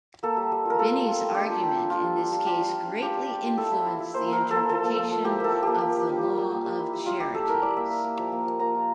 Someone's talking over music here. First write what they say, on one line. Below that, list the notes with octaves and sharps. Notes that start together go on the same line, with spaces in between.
Binney's argument in this case greatly influenced the interpretation of the law of charities.
A#3 A4
G3
G3
F4 A#4
A#3 A4
G3
F4
G3
D4 G4
F4
G3
D4
D4 F4
G3
D4
F4
F4 G4
G3
F4
D4
F4 G4
G3
F4
F4
E4 A4
E4
E4
E4
A#3 C5
A#3
A#4
E4
A4
A#3
F3 A4
A#3
F3
F3
E4 G4
A#3 A4
F3
A#3 G4
A#3
A#3
G3
G3
G3
A#3
G3
E4
G3
G3 F4
E4 G4
G3 A4
E4 A#4
E4 D5
A#3 E5
A#3
A#3
F3
A#3
F3
A#3 A#5
F4